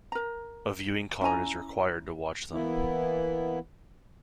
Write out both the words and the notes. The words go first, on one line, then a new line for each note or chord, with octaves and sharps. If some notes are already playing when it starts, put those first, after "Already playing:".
A viewing card is required to watch them.
A#4 A#5
C#4 E4 G#5 A#5
E3 A#3 B3 E4